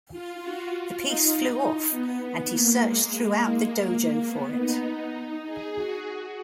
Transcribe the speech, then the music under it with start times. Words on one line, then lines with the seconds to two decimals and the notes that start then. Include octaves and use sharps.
The piece flew off, and he searched throughout the dojo for it.
0.11 F4
0.41 F#4
0.71 F4
1.01 D#4
1.89 B3
2.50 A#3
2.79 G#3
3.38 A#3
4.28 B3
4.57 D#4
5.46 G#4
5.76 F#4
6.05 F#4